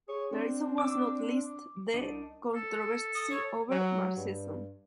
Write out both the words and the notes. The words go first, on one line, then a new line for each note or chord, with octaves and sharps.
The reason was not least the controversy over Marxism.
G#4 C#5
C4 D4
D6 E6
C2 D4 D#4
A4
D#6
C#5
F#3
G2